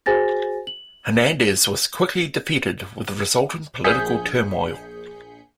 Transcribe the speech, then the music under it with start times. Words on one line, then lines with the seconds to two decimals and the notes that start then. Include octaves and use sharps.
Hernandez was quickly defeated, with resultant political turmoil.
0.06 F#4 G#4 C5 G#5 A6 A#6
0.67 F#7
3.84 A#1 G#4 G6 B6 C#7